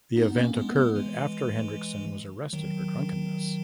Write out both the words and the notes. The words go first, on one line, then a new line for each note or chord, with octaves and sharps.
The event occurred after Henriksson was arrested for drunkenness.
B3 D#4
A#3 C#4
G#3 B3
G#3 B3
E3 G#3
D#3 F#3